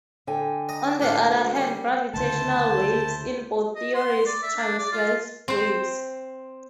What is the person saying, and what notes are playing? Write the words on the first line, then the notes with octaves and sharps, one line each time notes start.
On the other hand, gravitational waves in both theories are "transverse" waves.
D3 G5 G#5
D#5 A#5
A1 D4 F5
D2
G3
D2 C#3 A3 E4 C5 A5
D#5
C6
D5
E5
D4
D5
F4
C4 C5